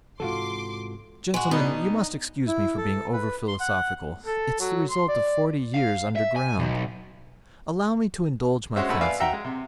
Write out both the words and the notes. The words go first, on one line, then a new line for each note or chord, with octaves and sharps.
Gentlemen, you must excuse me for being over-philosophical; it's the result of forty years underground! Allow me to indulge my fancy.
G#2 C3 E3 F4 F#4 A4 C6 D6
G#3 F#4
B2 B3 D4 D#4
E4
A4
B4
C6
F#5
A4
F#3
C6
D5
F5
E5
G#5
B1
G#3 C#4 F#4 C5 E5
G#2 A3 F#5 B5 E6
B4 D5 E5 F5 G#5 D6
F#4 E5 F#5 G5 A#5
G#3
C3